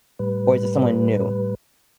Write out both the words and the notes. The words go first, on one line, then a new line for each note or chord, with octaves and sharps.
Or is it someone new?
A2 G3 B4